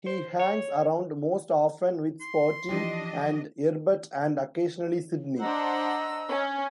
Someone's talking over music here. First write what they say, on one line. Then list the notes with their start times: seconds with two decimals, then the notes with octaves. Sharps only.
He hangs around most often with Spotty and 'Erbert and, occasionally, Sidney.
0.06 C5
0.39 C#5
2.21 C6
2.69 E3 F3 D4 G4 D#5
5.40 D4 C5 D#5 F#5 A#5 E6
6.28 C#4